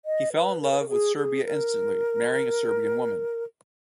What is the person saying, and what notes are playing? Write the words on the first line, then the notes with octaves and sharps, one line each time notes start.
He fell in love with Serbia instantly, marrying a Serbian woman.
D#5
B4
A#4
B4
A#4
G#4
G#4
A#4